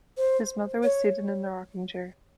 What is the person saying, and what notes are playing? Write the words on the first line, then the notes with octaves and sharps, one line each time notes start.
His mother was seated in the rocking-chair.
C5
C#5